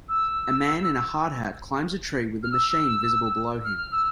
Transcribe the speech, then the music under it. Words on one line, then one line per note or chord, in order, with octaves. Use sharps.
A man in a hard hat climbs a tree with a machine visible below him.
E6
F6
E6
F6
F6
E6